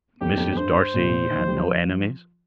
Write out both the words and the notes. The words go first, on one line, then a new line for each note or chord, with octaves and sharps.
"Mrs. Darcy had no enemies?"
F2 G4
G2
F2
F2
G2 C5
A#2
C3
A#2
D#3
F3
G3
F3